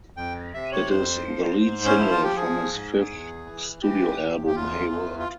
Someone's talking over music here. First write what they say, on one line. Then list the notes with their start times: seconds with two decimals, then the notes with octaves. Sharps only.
It is the lead single from his fifth studio album "Hey World".
0.16 F2 G5
0.54 C3 E5
0.72 C#5
0.90 F2 C5
1.26 F3
1.63 G#2
1.86 C#4
1.98 F3 E4
2.11 F4
2.23 G4
2.36 F3 G#4
2.73 G#2
3.10 E2
3.46 E3
3.82 E3 G4
4.19 E2
4.47 G4
4.55 E2 F4
4.92 E3
5.19 F4